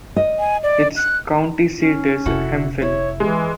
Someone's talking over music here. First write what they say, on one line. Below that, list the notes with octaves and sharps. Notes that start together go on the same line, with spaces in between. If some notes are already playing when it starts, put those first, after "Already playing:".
Its county seat is Hemphill.
D#5
G#5
D5
F#6
C#4
F1 E4 F#4 A4
E4 C#5
E3 G#3